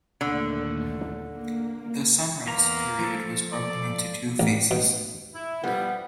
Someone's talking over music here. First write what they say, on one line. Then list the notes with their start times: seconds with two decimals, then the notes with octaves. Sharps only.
The Sunrise Period was broken into two phases.
0.21 D#2 A#2 D3 A3
1.27 A#3
2.47 E2 A#3 A#5
2.99 F3 A4
3.53 D5
4.40 A1
4.71 B2
5.34 E4
5.64 F3 G3 B3